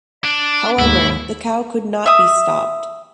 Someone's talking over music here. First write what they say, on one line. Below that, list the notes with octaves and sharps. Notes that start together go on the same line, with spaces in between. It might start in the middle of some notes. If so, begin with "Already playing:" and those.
However, the cow could not be stopped.
D4
D#2 G#2 A3 E4
E5 D#6